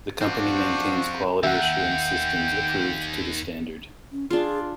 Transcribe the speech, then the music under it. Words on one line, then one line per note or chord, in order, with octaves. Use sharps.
The company maintains quality assurance systems approved to the standard.
C4 D4 F4 F#4
D#2 E5 F#5 G5
C#4
D4 F4 G#4